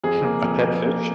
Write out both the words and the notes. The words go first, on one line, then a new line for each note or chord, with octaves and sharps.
Hmm, a pet fish?
F2 G#4
A#3
F2
F2
A#3